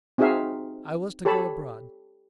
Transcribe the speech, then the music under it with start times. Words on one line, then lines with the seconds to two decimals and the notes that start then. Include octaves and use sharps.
I was to go abroad.
0.18 C4 D#4 F#4 G#4 E5 F5
1.25 G4 A4 C#5 A5 B5